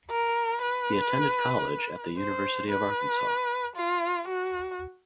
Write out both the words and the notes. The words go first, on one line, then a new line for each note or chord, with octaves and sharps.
He attended college at the University of Arkansas.
A#4
B4
C5
B4
F4
F#4